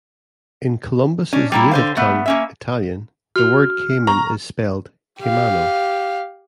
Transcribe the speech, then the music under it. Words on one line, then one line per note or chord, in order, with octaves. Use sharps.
In Columbus' native tongue, Italian, the word cayman is spelled caimano.
C#4 D4
G3 A#3 E4
D3 C5 F5
A3 B3
A#3 C#4 E5
F#4 F6 F7
A#5 C#6
G4 F5